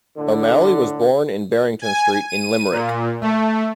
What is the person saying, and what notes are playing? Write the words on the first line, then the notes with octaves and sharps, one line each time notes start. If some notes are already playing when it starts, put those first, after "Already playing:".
O'Malley was born in Barrington Street in Limerick.
A2 D3
G#5
D#7
A#2
A3